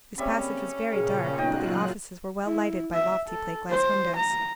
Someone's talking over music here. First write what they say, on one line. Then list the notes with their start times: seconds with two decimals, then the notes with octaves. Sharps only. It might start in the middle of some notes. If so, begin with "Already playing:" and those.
This passage was very dark; but the offices were well lighted by lofty plate-glass windows.
0.18 C#3 G3 A#3 C4 C#4 E5 B5
0.92 A#2 C#3 G#4 A#4
1.38 F#3 B3 D#4 F4 D#5 G5 F#6
2.44 E4
2.94 E5
3.28 A4
3.70 C5
4.16 A#5